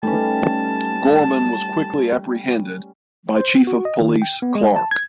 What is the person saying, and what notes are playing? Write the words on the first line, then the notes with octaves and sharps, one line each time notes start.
Gorman was quickly apprehended by Chief of Police Clark.
G3 A3 C#4 D#4 B4 A5
C5
B3
F#4
D#5
D#3
G5
B3
G#3
A5
G#6